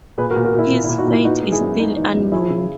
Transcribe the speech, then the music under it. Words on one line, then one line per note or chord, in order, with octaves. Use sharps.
His fate is still unknown.
A#2 G#4 B4
F#4 A#4
A#2
F#4 A#4
A#2
E4
A#2
E4
A#2
D#4 F#4
A#2 E4
B3 D#4 F#4
G#3
E4 G#4
F#2
G#3 D#4
E3 D#4
F#2
E3 E4 G#4
C#3